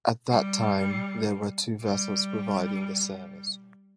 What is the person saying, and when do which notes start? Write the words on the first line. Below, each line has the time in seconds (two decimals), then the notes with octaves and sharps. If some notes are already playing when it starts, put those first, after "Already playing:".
At that time, there were two vessels providing the service.
0.30 G3
1.81 G3